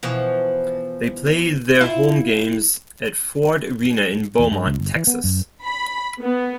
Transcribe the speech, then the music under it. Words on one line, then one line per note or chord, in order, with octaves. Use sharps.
They played their home games at Ford Arena in Beaumont, Texas.
B2 E3 F3
E4 F4
E2
G2
C#2
G1
E3
B3
F#2
B5
B3